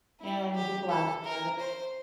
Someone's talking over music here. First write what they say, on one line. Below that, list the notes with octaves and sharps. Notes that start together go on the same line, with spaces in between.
and just laugh about it.
E4
G4
A4
A#4
C5